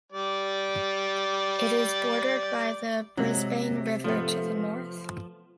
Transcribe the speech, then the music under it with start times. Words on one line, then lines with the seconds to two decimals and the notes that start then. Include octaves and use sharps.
It is bordered by the Brisbane River to the north.
0.12 G3 D5
3.17 C3 F#3 G#3
4.04 F3 A3 B3